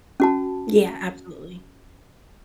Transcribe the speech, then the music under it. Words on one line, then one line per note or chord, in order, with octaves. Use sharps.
Yeah, absolutely.
C#4 F#4 A5